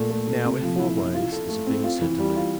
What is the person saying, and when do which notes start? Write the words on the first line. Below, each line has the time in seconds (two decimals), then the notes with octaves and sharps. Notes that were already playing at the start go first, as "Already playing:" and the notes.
Now, in four ways is a thing said to live.
Already playing: A#2 A3
0.10 A3
0.28 A3
0.45 C3
0.63 F3
0.79 E4
0.97 E4
1.15 F4
1.32 A4
1.49 A3
1.67 C4
1.84 F4
2.01 E3
2.19 G3
2.36 F4